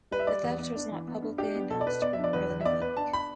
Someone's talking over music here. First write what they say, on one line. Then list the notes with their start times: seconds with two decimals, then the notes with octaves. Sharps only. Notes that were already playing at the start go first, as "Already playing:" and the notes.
The theft was not publicly announced for more than a week.
0.11 G3 B4
0.19 E5
0.27 G3 D5
0.43 E2
0.59 B3
0.75 D4
0.91 E3
1.08 B3
1.22 G2
1.38 D4 G4
1.55 B3
1.70 B2 A4
1.81 D5
1.86 B3 B4
2.02 B3 D5
2.13 E5
2.18 D4
2.24 D5
2.33 E2 B4
2.50 E2
2.61 E5
2.65 B3 D5
2.81 B3 B4
2.97 D4 A5
3.13 B5